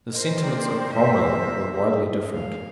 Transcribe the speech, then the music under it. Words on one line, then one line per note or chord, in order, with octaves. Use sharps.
The sentiments of Cromwell were widely different.
A#4 C5 D#5
A#3 D4 G5
G2 D#5 E5
G#4
F#2 F5